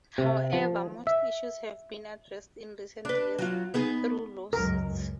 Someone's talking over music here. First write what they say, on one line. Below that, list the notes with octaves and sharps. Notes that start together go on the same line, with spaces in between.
However, most issues have been addressed in recent years through lawsuits.
C3
F3
E5
D4 B4
F#3 F4
B3 D#4 G#4
C#2 F#2 G#3 A#4